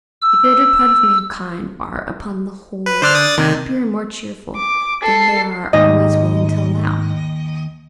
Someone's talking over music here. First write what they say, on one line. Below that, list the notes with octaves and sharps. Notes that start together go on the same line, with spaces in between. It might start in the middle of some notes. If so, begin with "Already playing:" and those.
The greater part of mankind are, upon the whole, happier and more cheerful than they are always willing to allow.
E6
B4
D3 C5 D5 F6
D5 D#6 A6
D#2 C3 D#3
D6
A4 C7
D#2 G#2 D#5